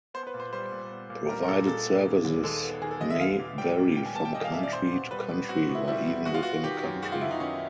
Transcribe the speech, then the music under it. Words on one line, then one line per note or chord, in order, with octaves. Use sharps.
Provided services may vary from country to country or even within a country.
B3 C5
B4
A#2
C5
G3 C5
A#2
B3
A#2
G3 A#4
A#4
A#2 A4
G#3 A4
B3
D#3
D#2
G#3 A4
B3
D#3 G#4
A4
D#2 D#5
E5
B3 F5
A#2
G3 G5
A#2
B3 G5
G#5
A#2 A5
G5
G3 D#5
F5
A#2 E5
D5
C4 C5
B2
G3 B4
B2
C4 F#4
B2
E4
G3 E4
B2
G#3 F#4
F4
B3 F#4
D#3 G4
F#2
G#3 F#4
F4
B3 E4
D#4
D#3 C#4